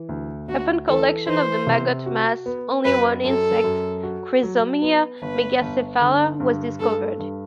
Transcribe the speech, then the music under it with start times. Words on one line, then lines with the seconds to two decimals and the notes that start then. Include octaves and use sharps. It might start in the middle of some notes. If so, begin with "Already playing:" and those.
Upon collection of the maggot mass, only one insect, "Chrysomya megacephala", was discovered.
Already playing: E3
0.09 D2
0.48 D2 F#4
0.87 E3 A4
1.27 E3 C5
1.67 C3
2.06 F#4
2.46 B3
2.84 F#2 B4
3.25 F#2 A4
3.64 F#2
4.03 F#4
4.43 F#3
4.82 B3
5.21 G1 B4
5.61 G1
6.00 D3
6.40 G2
6.80 G2 A4
7.19 G2